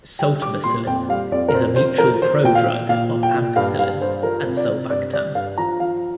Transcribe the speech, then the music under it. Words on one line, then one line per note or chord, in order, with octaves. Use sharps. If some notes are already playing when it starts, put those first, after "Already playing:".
Sultamicillin is a mutual prodrug of ampicillin and sulbactam.
G3 G5
G3 D6
A#2 C6
F2 G5
G3 F5
F2 D5
A#4
F2 C5
F2 C5
F3 A#4
F3 C5
A#2 G5
F5
A#2
A#2 F5
F3
G5
A#2
G2 F5
G2 F5
G2 C5
F3 A#4
C3
D5
C3
G2 D5
G3 D5
G2 F5
F3 A#5
F3 F5